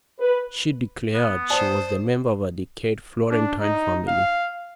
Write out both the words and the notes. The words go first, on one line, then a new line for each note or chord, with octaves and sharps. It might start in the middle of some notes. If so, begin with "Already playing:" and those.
She declared she was the member of a decayed Florentine family.
B4
B3
C5 D5 A5 D#6
D4
D#4
F5